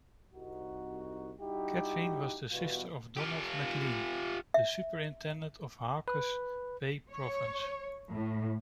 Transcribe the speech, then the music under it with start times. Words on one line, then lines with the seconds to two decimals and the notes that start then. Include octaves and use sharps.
Catherine was the sister of Donald McLean, the Superintendent of Hawke's Bay Province.
0.33 C2 D#4 F#4
1.40 G3 D#4 E4 F#4 G4
2.51 B2 E3 G3 B3 F4 F#4
3.17 F4 G4
4.54 E5
6.08 B4
7.11 C#5
8.11 A2